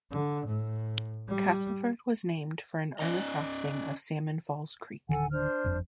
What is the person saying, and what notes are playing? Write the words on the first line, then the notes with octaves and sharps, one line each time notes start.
Castleford was named for an early crossing of Salmon Falls Creek.
D3
A2
G3
C#4 D5 D#5 A#5
D1 D3 D#3 A4 F#5 G#5
D4 C5 F6
G1 F2